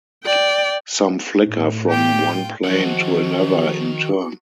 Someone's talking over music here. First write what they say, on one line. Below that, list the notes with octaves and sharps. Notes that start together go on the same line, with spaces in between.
Some flicker from one plane to another in turn .
D5 G5
A2
F4 G4 G5
D#3 F3 F#4 F#5